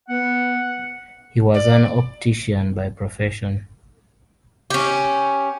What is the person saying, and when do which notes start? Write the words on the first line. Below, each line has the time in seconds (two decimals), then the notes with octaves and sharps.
He was an optician by profession.
0.08 B3 F#5
1.54 D5
4.70 C#4 G4